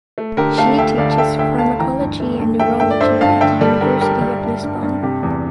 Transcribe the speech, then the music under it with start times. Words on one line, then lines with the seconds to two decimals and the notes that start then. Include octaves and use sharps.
She teaches pharmacology and neurology at the University of Lisbon.
0.18 A3
0.37 D3 G4 A#4
0.57 A3 F5 A5
0.78 D2 E5 G5
0.98 D2 D5 F5
1.11 A5
1.18 D3 E5 G5
1.38 D2 E5 G5
1.58 D2 F5 A5
1.79 E3 G5 A#5
2.00 G2
2.20 A3
2.39 G2
2.59 A3 E5 G5
2.80 G2 E5 G5
2.91 D5
3.00 G2 C5 E5
3.21 G2 F5 A5
3.41 D3 E5 G5
3.61 G3 A4
3.81 D3 G4 A#4
4.01 D3 G4 A#4
4.21 G3
4.43 G2
4.63 G2
4.82 G2
5.03 C3 G4
5.23 E2